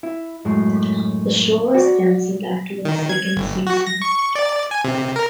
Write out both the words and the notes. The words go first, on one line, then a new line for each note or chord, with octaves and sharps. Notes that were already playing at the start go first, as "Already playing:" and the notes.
The show was cancelled after its second season.
E4
F#2 A2 G#3
F#4 D5
D#3
G#6
G1
F#4
A#6
C#6
D5
G#5
C3
A#4